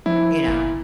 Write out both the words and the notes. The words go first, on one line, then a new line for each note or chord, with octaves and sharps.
You know,
F3 E4
G1